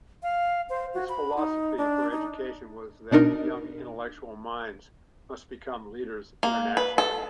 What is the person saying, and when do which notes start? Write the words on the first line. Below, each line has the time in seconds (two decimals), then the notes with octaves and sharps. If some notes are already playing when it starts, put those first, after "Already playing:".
His philosophy for education was that young intellectual minds must become leaders internationally.
0.23 F5
0.70 C5
0.94 F#4
1.09 B5
1.37 D#4
1.78 D4
2.11 D#4
3.11 B2 D4 D#4 A#4
6.43 A#3
6.77 B4
6.98 A4